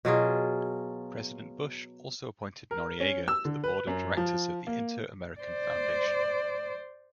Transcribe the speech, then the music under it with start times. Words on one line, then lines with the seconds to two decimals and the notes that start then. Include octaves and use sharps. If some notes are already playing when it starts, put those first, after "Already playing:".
President Bush also appointed Noriega to the Board of Directors of the Inter-American Foundation.
0.05 B2 F#3 F4 G#4
2.71 A#4
3.00 C#4
3.28 E6
3.45 D3
3.64 B4
3.87 F#2
4.17 F3
4.67 A#3
5.40 C5 D5